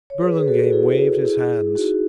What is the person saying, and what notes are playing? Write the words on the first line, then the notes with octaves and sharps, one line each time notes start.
Burlingame waved his hands.
C#5
G#4 B4
G#4
F#4 A4
E4 G#4
E4 G#4
D#4 F#4